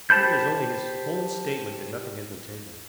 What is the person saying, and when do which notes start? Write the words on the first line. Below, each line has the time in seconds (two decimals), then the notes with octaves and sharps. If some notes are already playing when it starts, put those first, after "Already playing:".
Then there is only his own statement that nothing has been taken.
0.10 G4 C5 A5 B5 G6